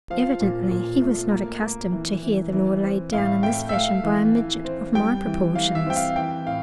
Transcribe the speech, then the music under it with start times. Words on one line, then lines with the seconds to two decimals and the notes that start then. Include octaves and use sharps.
Evidently he was not accustomed to hear the law laid down in this fashion by a midget of my proportions.
0.10 F3 F5
0.41 A#2
0.71 A#2
1.01 A3
1.31 A#3
1.62 A#3
1.92 E3
2.23 E3
2.52 E3
2.84 C4
3.13 A2 F5
3.43 A3 G5
3.69 E5
3.73 A3 F5
4.03 E3
4.35 E3
4.65 C4
4.95 G3 G5
5.25 E3
5.55 E3 F5
5.75 E5
5.86 C4 G5
5.96 F5
6.16 E3 G5
6.46 A2 F5